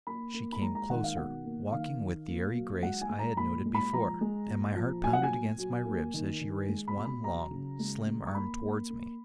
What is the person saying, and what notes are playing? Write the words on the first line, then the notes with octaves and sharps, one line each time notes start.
She came closer, walking with the airy grace I had noted before, and my heart pounded against my ribs as she raised one long, slim arm towards me.
A#3 B5
A#3
B5
G#3 A#5
A#5
D#3 F#5
F5
B2 F#5
A#3
D#3 F5
D#3
A#3
F#3
G#3 F#5
G#5
G#3
A#5
A#2 B5
G#3
B5
F3 A#5
G#3
A#2
F3
F#3 G#5
F#5
G#5
A#2
F#3
A#3
D#3
D#3
G#3
B5
B2
B5
F#3 A#5
C#3
G#3
G#3
C#6
A#3 B5
A#3
A#3